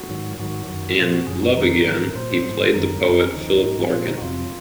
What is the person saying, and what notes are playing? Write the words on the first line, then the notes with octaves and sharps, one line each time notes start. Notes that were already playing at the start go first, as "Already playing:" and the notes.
In "Love Again", he played the poet Philip Larkin.
Already playing: F#4
G#2 D#3 F#3
G#2 D#3 F#3 F#4
F#2 D#3 F#3
A#2 F3 F4
F#4
F#2 C#3 F#3 G#4
F#4
F2 D#3 F#3 A#4
G#2 D#3 F#3
A#2 F#3 C5
G#2 F#3
F#2 D#3 F#3 A#4
F#2 F3
C#4
D#2 C#3 F3 D#4
G#2 F#3
A#2 F3 F4
D#4
F#4
F2 C3 F#3 F4